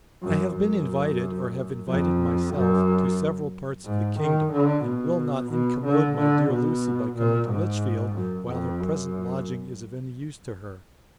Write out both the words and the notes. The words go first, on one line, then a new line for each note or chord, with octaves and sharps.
I have been invited, or have invited myself, to several parts of the kingdom; and will not incommode my dear Lucy by coming to Lichfield, while her present lodging is of any use to her.
F#2
F#2
F2
F#2
G#2
D#3
D3
B2
B2
D3
D3
B2
A#2
G#2
F#2
F2
F#2